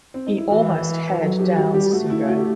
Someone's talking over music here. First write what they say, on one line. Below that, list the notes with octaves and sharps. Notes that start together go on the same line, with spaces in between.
He almost had Downs syndrome.
C4
D#4
E4
E3 F#4
B4
F#3 A4
G4
G3 F#4
G4
A3 F#4
E4
F#4
G4